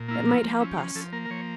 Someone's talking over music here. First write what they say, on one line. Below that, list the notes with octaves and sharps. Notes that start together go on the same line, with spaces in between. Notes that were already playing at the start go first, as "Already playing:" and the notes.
It might help us.
Already playing: A#2
A#3 E4
F4
F3 E4
F4
F3
C#4 E4
G4
F3 F4
F3 A4
A#3 A#4
A#4
F3 C#5